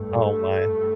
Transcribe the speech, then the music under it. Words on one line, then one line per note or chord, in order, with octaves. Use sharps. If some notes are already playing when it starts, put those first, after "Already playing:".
Oh, my.
Already playing: G2 A3
G2